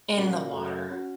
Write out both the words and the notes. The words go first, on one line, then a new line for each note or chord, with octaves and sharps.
in the water,
A#2 C#4 F#4
F#2 A3
C#4 F#4